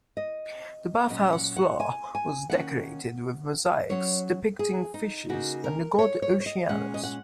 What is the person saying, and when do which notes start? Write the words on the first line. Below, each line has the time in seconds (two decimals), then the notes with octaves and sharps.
The bath house floor was decorated with mosaics depicting fishes and the god Oceanus.
0.17 D#5
1.10 A#2 F#3 C#4 D#5
1.33 F#5
1.57 F#5
1.80 G#5
2.15 G#5
2.50 D#3 A#3 C#4 F#5
3.89 F#3 C#4 C#5
4.59 G#4
4.94 D#4
5.29 C#3 A#3 D#4 F#4
5.64 A#4
5.99 C#5
6.22 C#5
6.40 C#5
6.46 D#5
6.69 A#2 G#3 C#4 F#5
6.94 D#5
7.04 F#5